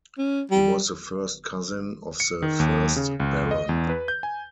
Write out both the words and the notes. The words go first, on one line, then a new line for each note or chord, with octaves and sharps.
He was the first cousin of the first Baron.
C#4
G3
C#7
D#3
D#2
C#3
C#2
D#5
E2
B4
G6
G#5